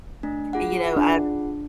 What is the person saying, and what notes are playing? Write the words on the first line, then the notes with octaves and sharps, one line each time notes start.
and you know, I
A3 D4
F4 G#4 F#5
D4